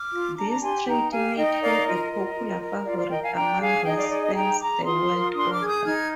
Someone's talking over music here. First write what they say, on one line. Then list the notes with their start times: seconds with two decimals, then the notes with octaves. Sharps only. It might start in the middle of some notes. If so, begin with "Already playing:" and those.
This trait made him a popular favorite among race fans the world over.
Already playing: D6 F6
0.12 F4
0.37 D4 A#5 D6
0.50 A#5
0.62 G4 G#5 C6
0.87 D#4 G5 A#5
1.11 G4 F5 G#5
1.37 D#4 D#5 G5
1.61 A#4 D5 F5
1.87 F4 D#5
2.12 A#4
2.36 F4
2.61 A#4
2.85 F4 D5 F5
2.98 D5 F5
3.10 A#4 D#5 G5
3.23 F5 G#5
3.35 D4 G5 A#5
3.60 G#4 F5 G#5
3.85 D#4 D#5 G5
3.98 D5 F5
4.10 G#4 D5
4.22 D#5
4.35 D#4 G5 A#5
4.59 G#4 A#5 D6
4.84 F4 C6 D#6
5.09 A#4
5.34 D4 C6 D#6
5.51 D6 F6
5.59 G#4 G#6
5.67 D#6 G6
5.84 D#4 F6 G#6